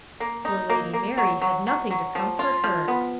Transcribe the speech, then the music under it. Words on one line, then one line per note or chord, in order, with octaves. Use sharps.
Poor Lady Mary had nothing to comfort her.
A#3
D#4
A#3
A#3
F#3
F#3
F#3
F#3
F3
F4
F3
B3